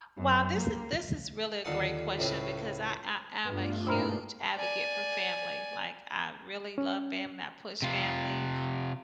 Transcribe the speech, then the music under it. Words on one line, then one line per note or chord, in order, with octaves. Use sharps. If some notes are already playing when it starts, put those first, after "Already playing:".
Well, this is this is really a great question because I I I'm a huge advocate for family, like, I really love family, I push family.
F#2
A#3
D#2 D3 F4 F#5 D#6
C#2 A2 C#3 C4 B4
G2 A3 B3 D4 F4
G#2 B2 G3 C4 E4 A#4
D5 G#5
C#4
C3 F4